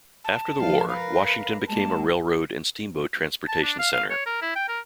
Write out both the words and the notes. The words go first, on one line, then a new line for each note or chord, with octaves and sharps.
After the war, Washington became a railroad and steamboat transportation center.
A5
F3 F5
A#4 B4 F5
G#3 A#3 A5
A5
D4
F5
F5
C#5
A#4
E4
G5
A#4